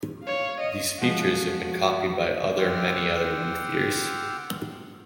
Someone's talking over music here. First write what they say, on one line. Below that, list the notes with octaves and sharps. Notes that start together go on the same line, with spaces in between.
These features have been copied by other many other luthiers.
C#5 F5
D#5
F3 G#3 F#5
F#4
F#5 G5 C6 D6 E6 F6